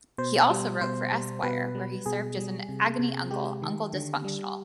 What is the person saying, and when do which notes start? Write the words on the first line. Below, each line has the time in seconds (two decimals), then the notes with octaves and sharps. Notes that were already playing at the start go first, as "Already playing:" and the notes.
He also wrote for "Esquire", where he served as an agony uncle, 'Uncle Dysfunctional'.
0.18 B2 C5
0.50 G3
0.81 B2 C5
1.12 G3
1.43 B2 B4
1.75 G3
2.06 B2 G#4
2.37 G3
2.69 C3
2.99 C3
3.31 G#3 G4
3.62 D#3
3.93 D3
4.24 G3